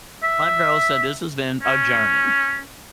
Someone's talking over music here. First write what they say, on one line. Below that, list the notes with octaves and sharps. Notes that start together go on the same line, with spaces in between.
My girl said, "This has been a journey."
E5
C#4